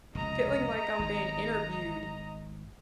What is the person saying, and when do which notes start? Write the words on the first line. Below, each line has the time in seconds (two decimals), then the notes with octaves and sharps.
feeling like I'm being interviewed
0.15 F1 C#2 D#5 A#5
0.99 G#1 G#2